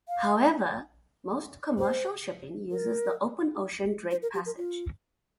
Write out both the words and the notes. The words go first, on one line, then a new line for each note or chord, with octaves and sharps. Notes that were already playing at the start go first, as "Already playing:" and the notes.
However, most commercial shipping uses the open-ocean Drake Passage.
F5
C5
A#4
C5
A#4
G4
A#4
F4